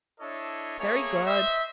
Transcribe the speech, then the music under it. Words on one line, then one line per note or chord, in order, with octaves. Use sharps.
Very good.
D4 E4 A4 C#5 D#5
A3 A#3 G#4 C#5
C5 D#5 E5